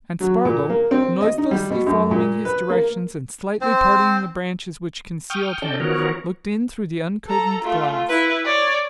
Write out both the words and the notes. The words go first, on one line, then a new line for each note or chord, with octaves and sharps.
And Spargo noiselessly followed his directions and slightly parting the branches which concealed him looked in through the uncurtained glass.
F#3
A#2
A#3
C4
D#5
D#4
G3
B2
F#2
A#2
B4
A#3
C4 C5
G5 C#6 D#6 F6
C#4 A4 D5 D#5 G5 A5
D#3 F3 B3 F#4 A#4 C#5
A4 A#5
A3 F4
E4 B4
C#5 D5